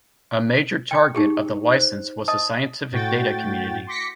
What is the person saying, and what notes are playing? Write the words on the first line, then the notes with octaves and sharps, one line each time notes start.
A major target of the license was the scientific data community.
G5 D6
D#4 G4 G#4
C5
D#5 A5 D#6
A2 F#4 G5 A6
C6 D6 A#6 B6 C#7